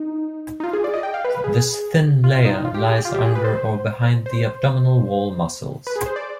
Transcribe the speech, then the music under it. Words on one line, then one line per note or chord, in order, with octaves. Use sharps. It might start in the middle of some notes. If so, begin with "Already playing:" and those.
This thin layer lies under or behind the abdominal wall muscles.
Already playing: D#4
D#4
F4
G#4
D5
D#5
G5
F5
B4
B4
G#4
F4
F4
D#4
F4
G4
G#4
G4
F4
G4
G#4
B4
C5
C5
B4
G#4
C5
D5